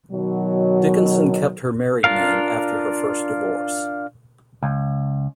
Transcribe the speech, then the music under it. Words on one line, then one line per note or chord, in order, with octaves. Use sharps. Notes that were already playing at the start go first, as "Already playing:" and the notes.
Dickinson kept her married name after her first divorce.
B2 D#3 F#3
D4 F4 A#4 F5
C#2